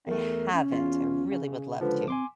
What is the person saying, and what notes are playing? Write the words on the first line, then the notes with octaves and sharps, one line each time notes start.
I haven't. I really would love to.
E2 A3 A#4
C#4
E2 F4
C#3
C#2 D3 F3 B4
C4 G#5 C6 D6